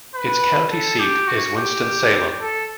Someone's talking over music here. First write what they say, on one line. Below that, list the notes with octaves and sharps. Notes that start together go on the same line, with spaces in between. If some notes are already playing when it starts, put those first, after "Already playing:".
Its county seat is Winston-Salem.
B4
A4
G4
F#4
G4
A4